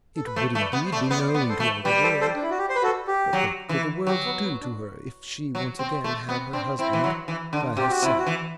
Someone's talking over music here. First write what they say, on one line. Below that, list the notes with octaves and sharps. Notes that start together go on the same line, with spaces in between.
It would indeed be known to all the world, but what could the world do to her if she once again had her husband by her side?
A4
B4
A3 A4 C5
A3
B4 D5
B3
C5
A3
D5
B3 C5
D5
C5
B3
D5
A4 C5
A3
G3 G4 B4
A4 C5
A4 C5
D4
E4
F#4
G4
C5
B4
F#4 A4
G4
F#3
E3
F#3 G4
B3
B3
D4
F#3
C4
A3
B3 C4
C4 D4
C4 E4
E3
F#3
E3
D3
C3 G4
F#4
C3 E4
F#4
E3